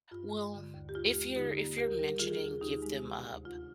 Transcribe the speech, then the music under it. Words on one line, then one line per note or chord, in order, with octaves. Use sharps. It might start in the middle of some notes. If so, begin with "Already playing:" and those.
Well, if you're if you're mentioning give them up
G2 F4
G#3
D3
D#2
G4
D#2 F4
G#3
D3 D#4 G4
A#3
D2 G4 A#4
G3
D#3 F4 G#4
D#2
D#2 D#4 G4
G#3
C3
D2
D2 F4